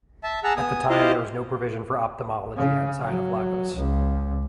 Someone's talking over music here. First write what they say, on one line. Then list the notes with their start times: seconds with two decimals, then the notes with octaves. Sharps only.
At the time there was no provision for ophthalmology outside of Lagos.
0.24 E5 A5
0.44 G#4 F#5 A5 A#5 E6
0.56 B3 G#5 D#6
0.90 E4 F4 G4 C5 D#5 F5
2.56 C#3
3.04 F#3
3.75 C#2